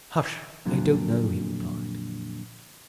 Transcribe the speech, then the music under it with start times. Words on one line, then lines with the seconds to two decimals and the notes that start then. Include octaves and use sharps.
"Hush, they don't know," he replied.
0.65 F2 A#2 D3 F#3